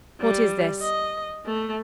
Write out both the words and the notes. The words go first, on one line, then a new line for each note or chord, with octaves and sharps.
What is this?'
G3
D#5
A3